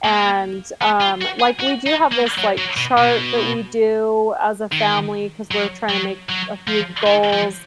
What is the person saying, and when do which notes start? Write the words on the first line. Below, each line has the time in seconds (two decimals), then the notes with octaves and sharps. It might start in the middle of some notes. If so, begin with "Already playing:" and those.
And, um, like, we do have this, like, chart that we do as a family, 'cause we're trying to make a few goals
0.04 A#3
0.82 B3
1.01 F4
1.22 F#4
1.40 G#4
1.60 F#4
1.87 D#4
2.12 A#3
2.38 F#3
2.58 F#3
2.77 B2
2.97 B2
4.72 D#3
5.51 F#3
5.89 F#3
6.29 F#3
6.68 F3
7.06 D#3
7.33 F3